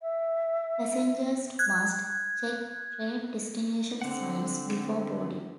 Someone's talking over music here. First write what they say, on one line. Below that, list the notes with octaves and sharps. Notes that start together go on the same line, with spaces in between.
Passengers must check train destination signs before boarding.
E5
F#6 G#6
D3 C4 F#5